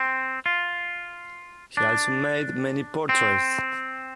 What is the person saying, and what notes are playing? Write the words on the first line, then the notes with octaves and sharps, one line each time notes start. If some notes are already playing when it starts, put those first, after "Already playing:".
He also made many portraits.
Already playing: C4
F4
D4
C4